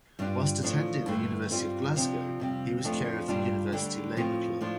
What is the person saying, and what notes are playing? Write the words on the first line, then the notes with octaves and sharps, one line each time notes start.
Whilst attending the University of Glasgow he was Chair of the University Labour Club.
G2 G3 D4 F4
A2 F3 D4 F4
G2 D3 A3
G2 G3 C4 F4
C3 F3 D4
F2 C3 G3
F2 F3 A3 D4
G2 G3 D4 F4
D2 D3 G3 D4
A2 F3 C4 F4
A2 F3 D4 F4